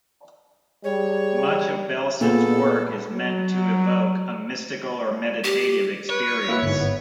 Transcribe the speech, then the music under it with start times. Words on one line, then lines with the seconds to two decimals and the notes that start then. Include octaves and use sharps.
Much of Belson's work is meant to evoke a mystical or meditative experience.
0.84 G3 G#4 C#5
2.21 A#2 B3 G#4 A4
3.13 F#3
5.44 G4
6.10 B4 C#5
6.49 A#3 E4 F#4 B4
6.62 G1 G#2
6.80 B3